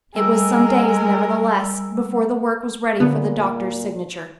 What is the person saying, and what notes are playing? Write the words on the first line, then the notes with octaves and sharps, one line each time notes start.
It was some days, nevertheless, before the work was ready for the doctor's signature.
G3 G#3 A#4 E6
A#2 D3 B3